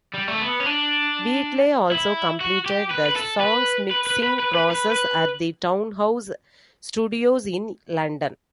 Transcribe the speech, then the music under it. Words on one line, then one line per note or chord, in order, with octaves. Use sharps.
Wheatley also completed the song's mixing process at the Townhouse Studios in London.
G3
A3
B3
C#4
D4
E4
F#4
G4
B4
B4
A4
B4
B4
B4
B4
B4
B4
B4
B4